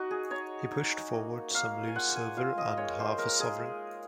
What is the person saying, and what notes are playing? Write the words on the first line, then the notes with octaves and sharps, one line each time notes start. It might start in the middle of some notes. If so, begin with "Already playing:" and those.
He pushed forward some loose silver and half a sovereign.
Already playing: D#4 F#4 D#5
G#4
D#4 C#5
D#4
A#3
A#3 F5
G#5
F4 F#5
G#5
F4 F5
D#5
G#3 C#5
C5
G#3 A#4
G#4
G#3